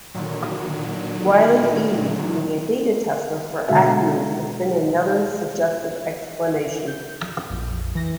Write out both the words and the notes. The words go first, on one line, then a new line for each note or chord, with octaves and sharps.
Wile E. being a "beta tester" for Acme has been another suggested explanation.
A#2 D3 D#3 F#3
B2 D3 G#3 F#4 E5 F5
G6
A#1 F2
E3 A#6